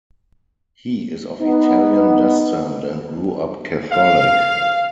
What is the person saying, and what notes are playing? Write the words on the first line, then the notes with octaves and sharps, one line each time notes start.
He is of Italian descent and grew up Catholic.
B3 D#4
F5